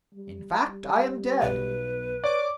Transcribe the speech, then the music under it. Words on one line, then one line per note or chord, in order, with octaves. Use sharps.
In fact, I am dead.
G3
G3
B1 B4
C#5 D5 D6